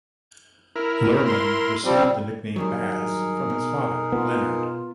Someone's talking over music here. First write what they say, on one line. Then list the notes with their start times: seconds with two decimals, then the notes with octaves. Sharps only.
Luhrmann received the nickname "Baz" from his father Leonard.
0.76 E4 A#4
1.25 C6
1.84 F3 G3 C4
2.56 G2 D#3 F#3 D#4 G#4 A#4
3.50 B2
4.12 B3 F4